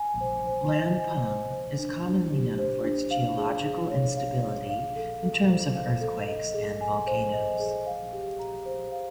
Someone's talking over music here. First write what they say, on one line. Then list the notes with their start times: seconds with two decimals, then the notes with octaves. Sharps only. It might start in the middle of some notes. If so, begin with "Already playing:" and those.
Lampung is commonly known for its geological instability in terms of earthquakes and volcanoes.
Already playing: G#5
0.21 C5
0.47 C5
0.73 D#5
0.99 G#5
1.26 C5
1.52 C5
1.79 D4
2.06 D4
2.32 G4
2.59 C5
2.84 D4
3.11 F5
3.37 G#4
3.64 G#4
3.90 C#5
4.17 F5
4.43 G#4
4.70 F5
4.96 A4
5.22 A4
5.48 C5
5.75 F5
6.01 A4
6.27 D#5
6.54 G#4
6.81 G#5
7.07 C5
7.34 D#5
7.60 G#4
7.86 F5
8.13 G4
8.39 A#5
8.66 C5
8.92 F5